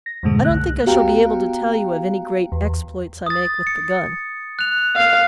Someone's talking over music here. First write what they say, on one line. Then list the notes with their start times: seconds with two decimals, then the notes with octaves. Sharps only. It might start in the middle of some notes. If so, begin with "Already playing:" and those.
I don't think I shall be able to tell you of any great exploits I make with the gun.
0.06 A#6
0.23 F2 G#2 B2 D3 G#3 A3
0.45 C2 F#6
0.86 B3 F#4 G4 F5 G5 A#5
2.52 E2
3.26 D#6 A6
3.67 C#7
4.59 F#6 F7
4.96 F5